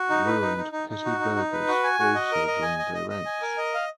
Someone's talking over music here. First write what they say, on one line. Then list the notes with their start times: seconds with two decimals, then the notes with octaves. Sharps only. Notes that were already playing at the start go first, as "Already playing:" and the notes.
Ruined petty burghers also joined their ranks.
Already playing: F#4
0.10 D#4
0.26 B4
0.41 D#4
0.57 D#4
0.72 D#4
0.89 D#4
1.05 F#4
1.20 D#4
1.36 D#4
1.52 B4
1.68 F#4
1.84 G#5
1.99 F#4
2.15 D#5
2.32 A#4
2.47 D#5
2.62 G#5
2.79 D#5
2.94 D#5
3.10 D#5
3.26 G#5
3.42 A#4
3.58 D#5
3.74 F5